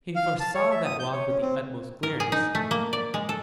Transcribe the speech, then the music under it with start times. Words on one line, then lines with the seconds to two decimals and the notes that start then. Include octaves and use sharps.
He foresaw that walk with the utmost clearness.
0.16 F5
0.40 A5
0.55 C#5
0.71 E5
0.85 D#6
0.99 G6
1.12 C#5
1.27 C#4
1.41 C4
2.03 A#4
2.20 G#4
2.32 D#4
2.55 A3
2.71 A#3
2.93 D5
3.14 G#3
3.29 A4